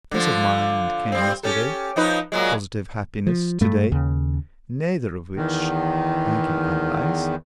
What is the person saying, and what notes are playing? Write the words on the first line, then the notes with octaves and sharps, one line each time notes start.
Peace of mind came yesterday, positive happiness to-day, neither of which I can analyze.
D3 F3
G3 C4
C#4 G4 A4
F3 D#4 B4
A#2 F#3 G#3
F3
G2 A3
D#2 C#3
E2 D#3